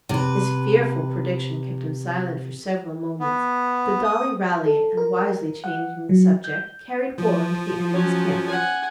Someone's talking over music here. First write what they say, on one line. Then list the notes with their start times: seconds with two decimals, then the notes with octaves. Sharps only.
This fearful prediction kept him silent for several moments; but Dolly rallied, and wisely changing the subject, carried war into the enemy's camp.
0.09 C3 B4
3.20 B3
4.04 D#6
4.65 A4
4.97 A#4
5.64 F#5
6.09 F#3
6.44 G6
7.18 F3
7.93 F#3 C#4
8.47 F#5 G#5